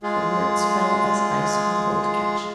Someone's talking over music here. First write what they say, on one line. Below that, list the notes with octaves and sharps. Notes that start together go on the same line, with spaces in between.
The words fell as ice on old Ketch.
G#3 F4 G#4